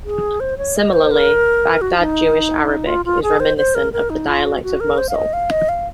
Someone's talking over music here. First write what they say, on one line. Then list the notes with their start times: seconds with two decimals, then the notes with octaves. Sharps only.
Similarly, Baghdad Jewish Arabic is reminiscent of the dialect of Mosul.
0.05 G#4
0.40 C5
0.58 C#5
0.77 D#5
0.93 C5
1.11 A#4
1.81 F#4
1.99 D#4
2.87 F4
3.05 F4
3.23 G#4
3.40 C5
3.57 C5
3.75 A#4
3.93 A#4
4.10 D#4
4.28 F4
4.45 F#4
4.63 F#4
4.80 A#4
4.98 C5
5.09 F5
5.15 D#5
5.33 F5
5.51 D#5
5.69 F5